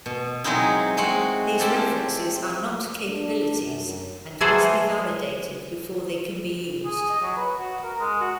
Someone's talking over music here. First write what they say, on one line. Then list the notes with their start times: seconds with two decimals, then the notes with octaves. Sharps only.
These references are not capabilities, and must be validated before they can be used.
0.06 B2
0.44 F#3 G#3 C4 D#4 E4
0.97 G#3 C4 F#4 F#5
1.60 C4 E4 G4 A4
3.08 D4
3.61 F#2
4.41 E3 F#3 G#4 A4 C5
6.84 G#4
7.09 D#5
7.21 F#3
7.37 B4
7.58 F#4
7.83 A#4
8.00 G#3
8.21 F#4